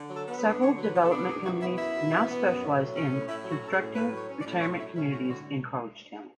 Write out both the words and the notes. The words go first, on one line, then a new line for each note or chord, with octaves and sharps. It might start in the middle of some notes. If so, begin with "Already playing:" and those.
Several development companies now specialize in constructing retirement communities in college towns.
Already playing: D3
F#3
A4
B3
B4
D4
D3 C#5
F#3
B4
B3
A4
D4
F#2 G#4
E3 F#4
B3 E4
F#2 E4
F#2
E3
B3
F#2
A2
F#3
C#4
A2
A2 E4
F#3
F#4
C#4
A4
G#4
A2
A2 B4
F#3
C#5
C#4
D5
A2
A2 C#5
F#3 E4
C#4 E4
A2 F#4
D3 F#4